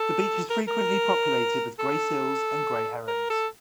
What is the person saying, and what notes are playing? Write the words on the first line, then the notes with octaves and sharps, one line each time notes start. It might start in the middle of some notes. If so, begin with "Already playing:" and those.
The beach is frequently populated with grey seals and grey herons.
Already playing: A4
A#4
A#4
A4
A#4
A4